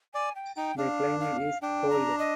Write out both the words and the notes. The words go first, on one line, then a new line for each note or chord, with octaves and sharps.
The climate is cold.
D5 G#5
G5
D#4 G5
D4 F5
F5
D4 G5
A#5
D#5